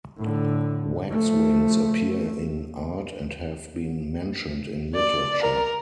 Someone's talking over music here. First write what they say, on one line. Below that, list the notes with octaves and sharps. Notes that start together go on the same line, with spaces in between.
Waxwings appear in art and have been mentioned in literature.
A2 D3
F3 A3
D5
A#4